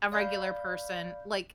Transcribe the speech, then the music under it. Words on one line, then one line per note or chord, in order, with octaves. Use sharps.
a regular person, like
D5 F5 B5 G6